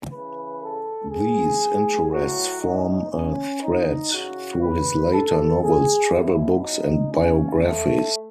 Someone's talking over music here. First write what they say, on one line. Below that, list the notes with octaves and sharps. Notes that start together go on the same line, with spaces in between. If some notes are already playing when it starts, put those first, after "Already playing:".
These interests form a thread through his later novels, travel books and biographies.
C#3 E3 B4
A4
G#4
A2 F#3 F#4
D#4
C#4
D#4
C#3 E3 F#4
B4
A4
G#4
B2 F#3 E4
D#4
C#4
A3